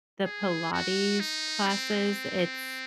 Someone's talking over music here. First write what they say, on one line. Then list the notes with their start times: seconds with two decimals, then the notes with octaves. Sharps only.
the Pilates classes, it's
0.25 G#4
0.73 F#4
1.20 D#4
1.67 C4